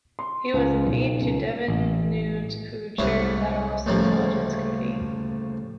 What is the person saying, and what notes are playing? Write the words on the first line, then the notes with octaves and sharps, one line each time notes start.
He was an aide to Devin Nunes who chaired the House Intelligence Committee.
C6
C#2
B1
C#2
A1
C2 G#2 B3 C#4 E4
D2 A2 C#3 F3 G3 A#3